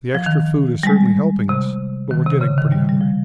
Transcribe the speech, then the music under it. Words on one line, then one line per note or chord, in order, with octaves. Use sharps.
The extra food is certainly helping us, but we are getting pretty hungry.
F3
D#3
G3
G#3
C3
D#3
C3
C#3
D#3
G3
G3
F3